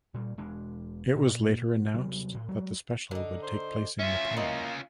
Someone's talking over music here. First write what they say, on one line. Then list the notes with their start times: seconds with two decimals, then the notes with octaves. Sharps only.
It was later announced that the special would take place in Nepal.
0.14 A#2 G3
0.38 E1 G#3 D4
1.16 A#2
1.94 C3 F#3 G3 B3
2.35 A2
2.49 F#3 G#3
3.11 D3 D#4
3.43 C5
3.99 C#4 F4 E5
4.37 A#3 E4 D#5